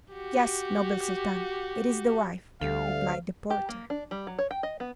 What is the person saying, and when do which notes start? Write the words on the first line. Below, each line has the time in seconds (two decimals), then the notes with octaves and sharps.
'Yes, noble Sultan; it is the wife,' replied the porter.
0.13 F#4 G4
2.61 D2 D3 G3 A4 F5
3.50 G4
3.69 A#3
3.90 D4
4.11 G3
4.27 F#3
4.39 C#5
4.51 G5
4.63 D#5
4.80 B3